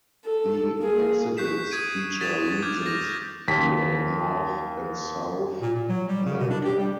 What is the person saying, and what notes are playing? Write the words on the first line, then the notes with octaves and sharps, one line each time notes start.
The exhibits feature regions throughout North and South America.
A4
A#3 G#4
C#6 F#6 G6 B6 C7 E7
D#6 G#6 D7 D#7
A6 B6 E7 F7
A6
D6 F6 G6 G#6
F6 G6 A#6 F7
D#2 B6
A#2
A#2
F#3
G3
C#3
B2
D4
G4
G3